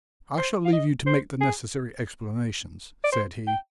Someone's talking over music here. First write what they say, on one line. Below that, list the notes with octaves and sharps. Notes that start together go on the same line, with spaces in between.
"I shall leave you to make the necessary explanations," said he.
C5
F5
D#5
C5
G#4
D5
C5
G5